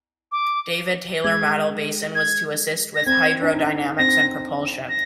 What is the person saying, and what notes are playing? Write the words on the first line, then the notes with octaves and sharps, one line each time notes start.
David Taylor Model Basin was to assist with hydrodynamics and propulsion.
D6
G#3 G#6
G#6
A#6
C4 G#6
D4
D#4
C4 A#6
A#6